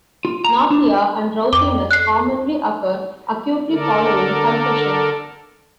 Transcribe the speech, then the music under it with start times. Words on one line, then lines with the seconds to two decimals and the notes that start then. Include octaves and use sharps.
Nausea and drowsiness commonly occur acutely following concussion.
0.25 F4
0.44 A#5
0.70 D4
1.53 F2 D6
1.91 F#6 C7
3.70 D3 A4 A#4 D5